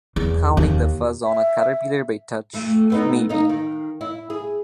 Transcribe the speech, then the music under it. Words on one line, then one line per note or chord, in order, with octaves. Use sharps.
Counting the fuzz on a caterpillar by touch, maybe.
E2
D#2
E5
F2 A3
A3 B3 D#4
A#3 D#4
D#3
E4
G#4